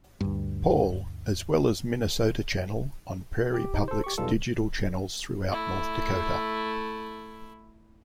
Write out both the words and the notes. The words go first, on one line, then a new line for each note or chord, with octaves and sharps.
Paul, as well as "Minnesota Channel" on Prairie Public's digital channels throughout North Dakota.
D2 G2
G4
D#4 G4
A4 C5
G4 C#6
B1 E2 E3 G3 F4 A4
A3 E4